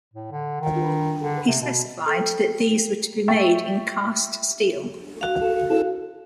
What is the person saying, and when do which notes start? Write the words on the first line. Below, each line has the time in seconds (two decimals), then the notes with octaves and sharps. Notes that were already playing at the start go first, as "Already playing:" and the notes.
He specified that these were to be made in cast steel.
0.14 A2
0.32 D3
0.61 D#3
1.21 D3
1.47 C3
1.61 B2
2.06 A4 G5
3.28 E5 G5 C#6 A6
5.21 F#4 F5